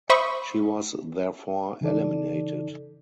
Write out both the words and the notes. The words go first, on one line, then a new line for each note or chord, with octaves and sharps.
She was therefore eliminated.
C5 E5 B5 C#6 D#6
C#3 E3 D#4 A4 D5